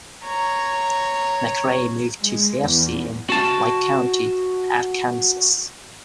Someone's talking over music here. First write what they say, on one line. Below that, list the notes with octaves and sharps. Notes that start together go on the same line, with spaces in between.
McRae moved to Searcy in White County, Arkansas.
C#5 A#5
G#3
E2
F#4 A5